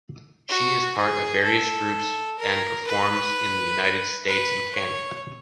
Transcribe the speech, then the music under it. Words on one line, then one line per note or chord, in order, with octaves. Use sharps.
She is part of various groups and performs in the United States and Canada.
F#4
G#4
A4
A#4
B4
B4
C#5